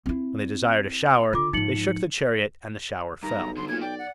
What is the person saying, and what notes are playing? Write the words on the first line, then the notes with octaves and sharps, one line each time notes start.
When they desired a shower they shook the chariot and the shower fell.
C4 E4
D3 F4 D6
G#2 F3 D#4 C#7 F#7
G2 D#3 A#5
B1
G2 D3 C6
A#3 F4 G#6
D5 G5
F#5